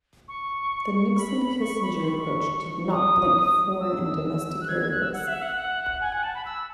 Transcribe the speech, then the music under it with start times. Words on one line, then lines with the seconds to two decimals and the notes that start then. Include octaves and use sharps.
The Nixon-Kissinger approach did not link foreign and domestic areas.
0.28 C#6
1.17 B5
1.60 C#6
1.82 B5
2.04 C#6
2.92 D#6
3.80 E6
4.61 F#6
4.68 G#6
4.80 G#6
4.90 F#6
5.02 E6
5.12 F#5
5.27 E5
5.41 F#5
5.56 F#5
6.00 G#5
6.12 F#5
6.22 A5
6.34 B5
6.45 E6